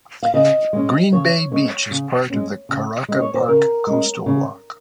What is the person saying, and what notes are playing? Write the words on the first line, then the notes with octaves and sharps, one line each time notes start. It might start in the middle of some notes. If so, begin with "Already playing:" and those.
Green Bay beach is part of the Karaka Park coastal walk.
F5
C#3 D#5
G#3 C#4
C#3 C#5
G#3 C#4 C#5
C#3
G#3 C#4
C#3
G#3 C#4
C#5
C5
C#3 A#4
G#3 C#4
C#3